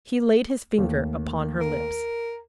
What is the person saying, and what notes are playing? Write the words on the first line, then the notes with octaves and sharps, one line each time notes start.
He laid his finger upon her lips.
D#2 A3
A#4